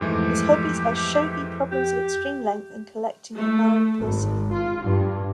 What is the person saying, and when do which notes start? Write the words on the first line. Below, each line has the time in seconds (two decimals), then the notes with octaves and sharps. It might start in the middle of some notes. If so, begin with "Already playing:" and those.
His hobbies are shogi problems of extreme length and collecting Imari porcelain.
0.01 F2 G#2 E3 A3 G4
1.72 G4
3.36 A3
3.99 G#1
4.52 F4
4.82 G2